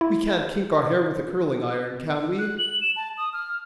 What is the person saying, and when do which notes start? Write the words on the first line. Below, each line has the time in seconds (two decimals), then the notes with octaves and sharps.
We can't kink our hair with a curling-iron, can we?
0.01 E4
2.38 F#6
2.58 F#7
2.81 E7
2.96 A5
3.17 D#6
3.33 F6